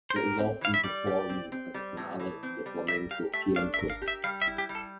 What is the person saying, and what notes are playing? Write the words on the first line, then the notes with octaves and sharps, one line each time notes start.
It is often performed as a finale to a flamenco tiento.
C5
G4 A#4
C4
E3 F5
E5
G3 D5
G4
C4
C4
G3
A2
E3
C4
G3
A#4 E5
G4 F5
A3 E5
D4 F5
E5
A#4
F5
G4
E5
G3 F5
E5
E4
G4
G3
A4